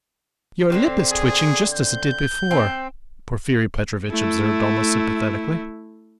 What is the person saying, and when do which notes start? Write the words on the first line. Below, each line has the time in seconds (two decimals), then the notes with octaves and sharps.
"Your lip is twitching just as it did before," Porfiry Petrovitch observed almost sympathetically.
0.70 D3 C4 D4
1.12 G#4
1.74 G6
2.51 C4
4.11 A3 E4